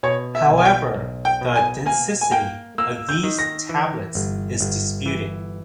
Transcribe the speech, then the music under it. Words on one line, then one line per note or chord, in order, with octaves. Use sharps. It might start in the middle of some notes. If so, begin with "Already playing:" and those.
However, the authenticity of these tablets is disputed.
B2 C#5
E5
B1
G#5
G5
B1
G5
B2
G#5
A#3 G#5
G#5
A#3 G5
A#3 E6
G6
D#3
A#6
E3
G1
G1
E3